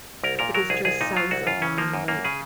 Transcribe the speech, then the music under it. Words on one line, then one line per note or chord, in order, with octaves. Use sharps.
It is just south of Lime Lake.
C2 A#4
A#2 A#4
F#3 A#4
C2 G#4
C2 G#4
A#2 D#4
F#3 F4
C2 F#4
F#2 F4
C#3 C#4
F3 A#3
F#2
F#2 A#3
C#3 G#4